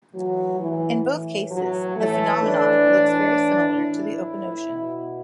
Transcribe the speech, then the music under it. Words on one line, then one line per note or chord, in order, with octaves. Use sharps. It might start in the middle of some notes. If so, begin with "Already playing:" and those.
In both cases, the phenomenon looks very similar to the open ocean.
A2 E3 F#3
E3
A2 E3
F#3
A2 E3 A3
D4
A2 E3
A2 E3 E4
B2